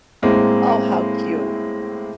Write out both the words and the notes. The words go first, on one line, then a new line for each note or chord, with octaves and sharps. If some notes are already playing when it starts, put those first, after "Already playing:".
Oh, how cute.
A2 G#3 A#3 C4